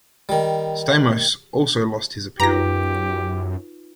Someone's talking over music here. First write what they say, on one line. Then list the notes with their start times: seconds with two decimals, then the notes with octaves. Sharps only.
Stamos also lost his appeal.
0.29 D#3 G3
2.40 F#2 D#4 F4 G4 B4 A#5 A#6